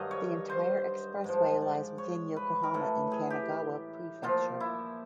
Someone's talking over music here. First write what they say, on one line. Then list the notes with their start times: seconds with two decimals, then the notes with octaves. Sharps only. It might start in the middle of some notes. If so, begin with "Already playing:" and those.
The entire expressway lies within Yokohama in Kanagawa Prefecture.
Already playing: G2 D#3 F#3 D#5 F5
0.11 C#5
0.49 C5
1.24 G#2 F3
1.62 D5
1.98 C#5
2.36 B4
2.63 A#4
2.74 A2 E3 A4
3.12 G#4
3.30 G4
4.23 A#2 F3 F4
4.60 E4